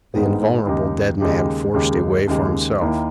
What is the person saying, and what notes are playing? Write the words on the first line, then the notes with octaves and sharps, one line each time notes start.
The invulnerable dead man forced a way for himself.
G#1 G#2 D#3 G#3 B3
D#2 C#3 G#3 D#4 G4
D#2 C#3 G#3 D#4 G4
D#2 C#3 G#3 D#4 G4
D#2 C#3 G#3 D#4 G4
D#2 D#3 A#3 E4